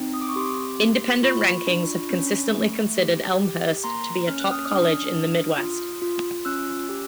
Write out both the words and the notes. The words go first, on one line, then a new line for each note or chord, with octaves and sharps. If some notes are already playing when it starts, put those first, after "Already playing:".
Independent rankings have consistently considered Elmhurst to be a top college in the Midwest.
Already playing: C4 D#4
D#6
D6
C#6 D#6
G4 C6 D6
A#3
F4 B5 C#6
D4
C#4
A3
G4
G4
A#3 A#5 C6
C#4 F6
F#6
D#6 F6
D4 D#6 F6
D4
F4
F4
C#4 E6 F#6
G4